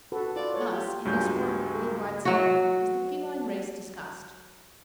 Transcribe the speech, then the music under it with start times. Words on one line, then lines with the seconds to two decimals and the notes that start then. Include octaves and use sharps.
Thus, in this work of world-wide celebrity, is the feline race discussed.
0.12 F#4 A4 B4
0.36 F4 B4 D5
0.54 A4 C#5
0.73 F4 G4
1.05 C#2 G2 F#3 F4 G#5 G6
2.25 F#3 F#4